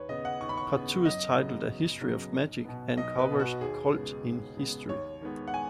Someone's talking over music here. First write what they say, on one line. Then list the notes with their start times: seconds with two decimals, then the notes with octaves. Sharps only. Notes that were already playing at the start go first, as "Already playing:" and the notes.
Part two is titled "A History of Magic" and covers occult in history.
Already playing: D#2 B4 C#5
0.09 C#3 B3 D#5
0.25 F#5
0.41 D#2 C#6
0.49 B5
0.57 C#6
0.73 C#3 B3
1.05 F#2 D#5
1.37 C#3 F#3 B3
1.69 F#2
2.01 C#3 F#3 B3
2.33 B1
2.65 B2 B3
2.97 B1 D#5
3.18 B4
3.30 B2 B3
3.40 F#4
3.61 D#2 G#4
3.93 C#3 G#3 B3
4.26 D#2
4.57 C#3 G#3 B3
4.89 D#2 C#5
5.22 D#3 G#3 B3
5.48 F#5
5.54 G#5